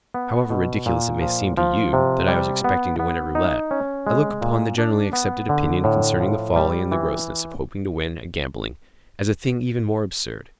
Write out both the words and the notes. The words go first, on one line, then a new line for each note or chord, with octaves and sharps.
However ridiculous it may seem to you that I was expecting to win at roulette, I look upon the generally accepted opinion concerning the folly and the grossness of hoping to win at gambling as a thing even more absurd.
B3
B2
A#2
F3
F3
C3
G3
B3
B3
D#4
C#4
G#3
A#2
D4
B3
D3
A2
F3
G3
E3